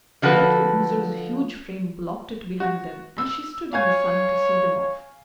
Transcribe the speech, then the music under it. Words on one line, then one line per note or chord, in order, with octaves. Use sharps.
Becky Boozer's huge frame blocked it behind them as she stood in the sun to see them off.
D3 F3 F#4 A4 B4
F#4
E6
C#5 F5 G#5 G#6